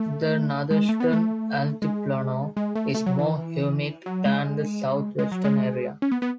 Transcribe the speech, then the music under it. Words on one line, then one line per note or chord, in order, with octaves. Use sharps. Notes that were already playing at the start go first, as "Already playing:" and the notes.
The northeastern Altiplano is more humid than the southwestern area.
Already playing: A3
G#3
A3
B3
A3
G#3
G#3
A3
A3
F#3
E3
F#3
G#3
G#3
F#3
G#3
C#4
B3
B3